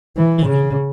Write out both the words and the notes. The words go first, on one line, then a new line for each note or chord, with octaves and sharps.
You know?
E3
C#3